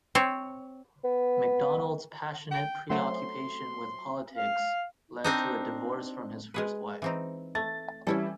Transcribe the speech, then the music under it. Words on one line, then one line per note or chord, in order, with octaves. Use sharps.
McDonald's passionate preoccupation with politics led to a divorce from his first wife.
C4 C#5
B3
G5
F#3 A3 C5 C6
F5
C4 D4 D#4
G#3 G#4 B4
E3 C4 D#4
A3 A6
E3 G3 C#4 E4 A4